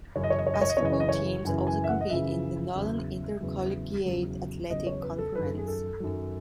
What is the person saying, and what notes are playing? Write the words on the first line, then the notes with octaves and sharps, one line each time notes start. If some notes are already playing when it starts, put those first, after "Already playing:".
Basketball teams also compete in the Northern Intercollegiate Athletic Conference.
F#2 C#3 E3 C#5
D#5
C#5
D#5
C#5
D#5
C#5
D#5
C#5
F#2 C#3 E3 D#5
C#5
D#5
C#5
F#2 C#3 E3 G#5
G#5
E5
F#5
D#5
F#2 C#3 E3 E5
E2 C#3 F#3
E2 C#3 F#3
E2 C#3 F#3
E2 C#3 F#3 D#5
C#5
B4
A4
F#2 D#3 F#3 B4
A4
G#4
A4
F#2 D#3 F#3